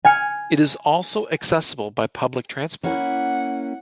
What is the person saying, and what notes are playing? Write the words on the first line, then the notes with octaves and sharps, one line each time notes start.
It is also accessible by Public Transport.
G#5 F6 C#7
A#3 C#4 E4 F#5